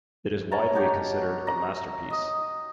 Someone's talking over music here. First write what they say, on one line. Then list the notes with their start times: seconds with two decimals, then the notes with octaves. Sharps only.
It is widely considered a masterpiece.
0.51 A#4 C#5 A5 A#5
0.75 D#4 F#4 G4 C#5
1.47 A#5
2.10 D#5 D#6